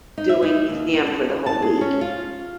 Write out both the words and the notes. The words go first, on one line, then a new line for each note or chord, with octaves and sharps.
doing museum for the whole week.
D#4
E5
D#4
D#2
B3
A4
A5
G#4
C#4
F4